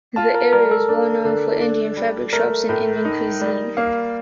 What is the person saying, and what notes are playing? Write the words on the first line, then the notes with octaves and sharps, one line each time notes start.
The area is well known for Indian fabric shops and Indian cuisine.
F4 A5
A#4
G3 A#4
A4
D4
D3
D4
G3
A3 A#4
A2
D#4
G3
A#3 F5